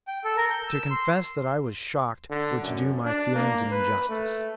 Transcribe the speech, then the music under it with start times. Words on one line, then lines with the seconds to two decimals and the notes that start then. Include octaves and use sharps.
To confess that I was shocked were to do my feelings an injustice.
0.08 G5
0.24 A4
0.37 A#4
0.50 G6
0.68 E6
0.90 C6
2.30 D3
2.62 F#2
3.06 D4
3.35 A#3
3.72 B4
4.09 A3